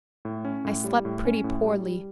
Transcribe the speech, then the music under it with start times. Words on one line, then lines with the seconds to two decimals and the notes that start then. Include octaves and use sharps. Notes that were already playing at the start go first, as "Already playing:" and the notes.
I slept pretty poorly.
0.25 A2
0.45 C#4
0.65 A2
0.84 G3
1.05 A2
1.25 C#4
1.44 A2
1.64 G3
1.84 G3